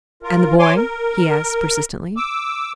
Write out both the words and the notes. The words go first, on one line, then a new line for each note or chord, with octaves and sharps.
"And the boy?" he asked, persistently.
F4 A#4
C#5 G#5 C6 D6
A#4
D6 E6